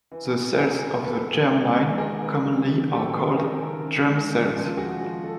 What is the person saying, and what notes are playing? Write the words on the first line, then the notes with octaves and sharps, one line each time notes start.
The cells of the germline commonly are called germ cells.
E3
B3
B3 G#4 A#4
B3
E3 A4 B4
E3
G#3
G#3
D#3 G#4 A#4
B3
F#3
D#3
F#3 G4 A4
B3
D#3 G#4 A#4
D#3
C#3
G#3
C#3
F3
F3 F#4 G#4
F3
A4